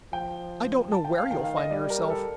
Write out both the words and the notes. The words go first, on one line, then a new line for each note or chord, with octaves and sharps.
I don't know where you'll find yourself.
F3 G5
A5
G5
F5
D#3 G5
F5
D#5
G3 D5
A#4
A4
A4